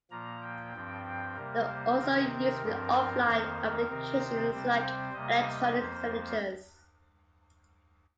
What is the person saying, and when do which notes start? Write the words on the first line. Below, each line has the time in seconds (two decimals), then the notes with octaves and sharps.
They're also used in offline applications, like electronic signatures.
0.11 A#2 F3 A#3 A#5
0.42 G5
0.74 G2 F3 C4
1.04 G5
1.36 C3 G3 A#3 A#4
1.68 C5
1.99 C3 D#3 C4 A#4
2.62 G2 F3 C4
3.25 F2 D#3 A#3 C5
3.56 A#4
3.87 C3 D#3 C4
4.19 C5
4.50 C3 G3 C4 C5
4.82 C5
5.13 C3 G3 A#3 D#5
5.76 F2 F3 A#3 C5